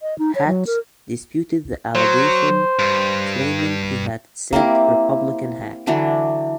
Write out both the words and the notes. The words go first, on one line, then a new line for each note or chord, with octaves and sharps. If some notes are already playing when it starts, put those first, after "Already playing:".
Hatch disputed the allegation, claiming he had said Republican hack.
D#5
D#4
C#5
F#3
A#4
F#3 C5
G2
A#3 C4 E4 G4
D3 E3 F#3 D4